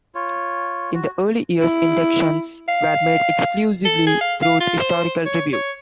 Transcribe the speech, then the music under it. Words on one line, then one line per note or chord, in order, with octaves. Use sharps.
In the early years, inductions were made exclusively through historical review.
F4 C#5
F#4
E4
F5
A4
G#4
F5
F5
F4
C5
C#5
C#5